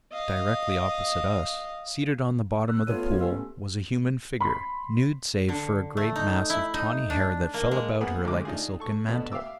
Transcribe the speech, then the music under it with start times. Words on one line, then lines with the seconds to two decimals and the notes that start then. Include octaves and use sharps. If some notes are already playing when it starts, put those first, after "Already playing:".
Directly opposite us, seated on the bottom of the pool, was a human figure, nude save for a great mass of tawny hair that fell about her like a silken mantle.
0.12 D#5 F5
2.68 E6 F#6
2.87 A3 B3 F4 A4 C#5 D#7
3.21 C#4 G4 E6
4.41 B5 C6
5.49 D3
5.97 A3
6.16 D#4
6.50 E4
6.74 D#4
7.10 D4
7.54 A#3
7.71 G#3
8.01 A#3 B3 G#4 A#4 F#5
8.23 A1 D2 G#3 D6
8.45 D4 D#4 F4 G#4
8.80 A4 C#6
9.08 B2 D3 B3 D4
9.32 E5 F5 G5 D6 E6